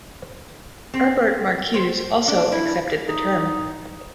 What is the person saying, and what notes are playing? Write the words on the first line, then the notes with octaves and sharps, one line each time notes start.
Herbert Marcuse also accepted the term.
C4
C5
D4
E4
D#4